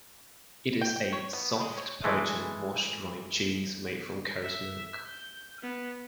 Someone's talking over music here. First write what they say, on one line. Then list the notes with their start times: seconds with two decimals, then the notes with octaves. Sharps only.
It is a soft, pungent, washed rind cheese made from cow's milk.
0.81 G5
0.96 G5
1.13 C#5
1.33 B3
1.60 G#3
1.78 C#5
2.04 E3 G#3 A3
4.42 E5
5.07 G6
5.63 B3